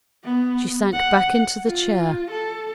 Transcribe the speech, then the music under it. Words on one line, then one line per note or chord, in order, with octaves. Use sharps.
She sank back into the chair.
B3
F#5
F4
A4